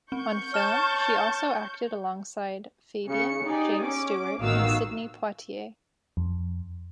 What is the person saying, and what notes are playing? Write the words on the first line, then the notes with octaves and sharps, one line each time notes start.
On film, she also acted alongside Fabian, James Stewart and Sidney Poitier.
C4 C#6 G6
C#5 A5 F6 E7
C#3 C#7
D#4 G4 G#4 D5
C#4 D6
A1 B2 D#3 F#4 F5 E6
F2